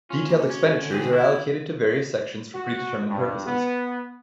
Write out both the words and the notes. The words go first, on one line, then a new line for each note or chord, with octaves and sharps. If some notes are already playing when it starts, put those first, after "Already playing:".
Detailed expenditures are allocated to various sections for pre-determined purposes.
C#4 F4
A#3 F#4
C#4
D3
E3 C4 F#4 G#4
E4
F#4
G2
B3